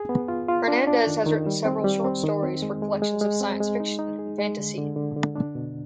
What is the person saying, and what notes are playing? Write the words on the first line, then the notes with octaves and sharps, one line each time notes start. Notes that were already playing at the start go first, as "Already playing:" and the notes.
Hernandez has written several short stories for collections of science fiction and fantasy.
Already playing: G#4
B3
F4
F4
D4
D4
D#3
D#3
G3
C4
G3
C4
D#3
C4
G#3
G#3
G#3
G#3
C4
G#3
D#4
D#4
G#4
G#3
D3
D3
D3
D3
D4
B2